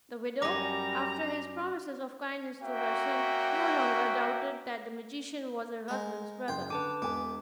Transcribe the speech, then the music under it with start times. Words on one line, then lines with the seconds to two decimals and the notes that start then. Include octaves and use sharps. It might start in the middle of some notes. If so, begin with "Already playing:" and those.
The widow, after his promises of kindness to her son, no longer doubted that the magician was her husband's brother.
0.42 F#2 G3 G#5 A#5 D6 A#6
2.62 A#3 C#4 F#4 E5 G5
5.88 G#3 A#4
6.48 F#1 G5 C6
6.70 D3 B4 A5 D6 D#7
7.02 E1 B3 G#5 D6